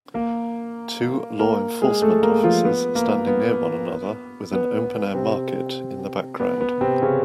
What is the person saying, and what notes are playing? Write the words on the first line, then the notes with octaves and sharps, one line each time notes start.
Two law enforcement officers standing near one another with an open air market in the background.
A#3 A#4
A#3 A#4
G#3 G#4
A3 A4
A#3 A#4
F3 F4
B3
A#3
B3
B3
B3
C3 C4
B3
B3
C3 C4
C#3 C#4